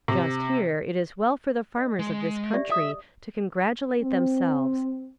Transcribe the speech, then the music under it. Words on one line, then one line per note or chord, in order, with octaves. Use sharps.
Just here it is well for the farmers of this country to congratulate themselves.
C3
D#5
G#3
G4 D5 E5
D#5 E5 D#6
C4